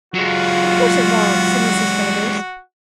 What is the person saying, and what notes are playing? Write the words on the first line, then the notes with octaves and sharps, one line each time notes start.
"Of course it won't," said Mrs. Flanders.
F#3 G#3 F4 F#4